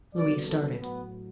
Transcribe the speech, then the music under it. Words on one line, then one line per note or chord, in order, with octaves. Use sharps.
Louis started.
C2 B2 F#3 D5
A4
A2 F#3 B3